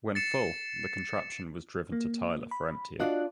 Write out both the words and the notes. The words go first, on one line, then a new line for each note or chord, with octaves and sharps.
When full, the contraption was driven to Tyler for emptying.
A6 C7 C#7 E7
A#3
B5
D4 F4 F#4 D5 D#5 F#6